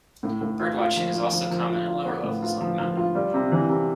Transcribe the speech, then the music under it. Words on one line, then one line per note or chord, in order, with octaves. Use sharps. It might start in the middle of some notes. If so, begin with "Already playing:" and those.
Birdwatching is also common at lower levels on the mountain.
A2
A2
F4
F4
F3
F4
F3
F3
F4
F4
B3
A2
F4
F3
F3
F4
G3
C3
E3
C3